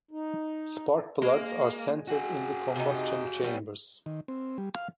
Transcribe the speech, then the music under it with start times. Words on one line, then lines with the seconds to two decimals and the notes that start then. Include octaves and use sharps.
Spark plugs are centered in the combustion chambers.
0.11 D#4
1.22 G#3 A#3
2.08 F#4 G#4
2.76 C3 D#4
3.44 G3 B3 C#5
4.06 D#3
4.28 C4
4.58 G3
4.75 F5